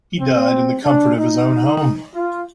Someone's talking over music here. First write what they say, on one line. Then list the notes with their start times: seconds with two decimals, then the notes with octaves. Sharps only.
He died in the comfort of his own home.
0.19 C4
0.84 D4
1.17 D#4
2.14 F4